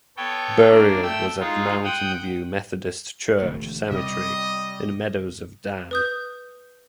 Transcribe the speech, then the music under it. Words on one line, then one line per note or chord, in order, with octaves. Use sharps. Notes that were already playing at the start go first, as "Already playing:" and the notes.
Burial was at Mountain View Methodist Church cemetery in Meadows of Dan.
B3 A4 C#5 G5
A#3 D4
A3 G5 E6
G#3 D#4 F4
F#5 G5 D#6
E1 D3 A3
C3 G3 C4 D#5
B4 D#6 G6